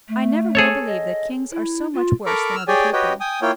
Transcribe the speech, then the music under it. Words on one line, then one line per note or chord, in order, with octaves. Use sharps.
I never will believe that kings are so much worse than other people.
A3
G#4 A4 C#5
D#5
E4
F4
A4 A#4 A#5 B5 C#6 D6
E6 F6
G4 G#4 C#5 D5 G5 G#5
F#4 G4 B4 C#5 D#5 G5
G5 G#5 D#6
A#3 E4 F4 C#5 G5